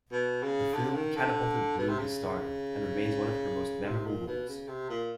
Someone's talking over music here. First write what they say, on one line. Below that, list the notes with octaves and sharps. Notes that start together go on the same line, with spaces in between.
The film catapulted Bloom to stardom, and remains one of her most memorable roles.
B2
C#3
D3
D#3
D3
B2
C3
C#3
C3
A#2
B2
C#3
C3
A#2